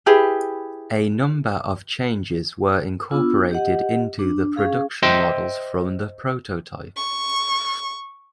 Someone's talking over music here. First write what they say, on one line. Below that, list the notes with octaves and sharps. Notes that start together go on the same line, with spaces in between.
A number of changes were incorporated into the production models from the prototype.
E4 G4 G#4 B4
B3 D4 F4 E6
G4 D#5 F#5
D4
C#4 G#4 F5
C5 D#5 E5 G5 C6
C#6